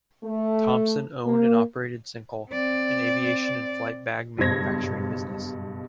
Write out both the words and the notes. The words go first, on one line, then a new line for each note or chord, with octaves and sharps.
Thompson owned and operated Cencal, an aviation and flight bag manufacturing business.
A3
A#3
C4 D5
F#1 G2 B2 C5 G#6 A#6